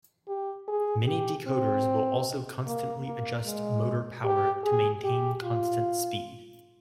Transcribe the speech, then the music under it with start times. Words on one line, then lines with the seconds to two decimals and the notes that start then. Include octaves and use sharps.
Many decoders will also constantly adjust motor power to maintain constant speed.
0.28 G4
0.68 G#4
1.07 G4
1.47 C4
2.66 A#3
3.06 A#3
3.45 G#3
4.24 G4
4.64 G#4
5.04 G4
5.43 F4